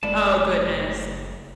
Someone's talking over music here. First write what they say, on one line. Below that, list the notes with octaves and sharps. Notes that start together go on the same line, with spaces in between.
Oh, goodness.
F#1 G#3 A3 B3 E4 D5 A5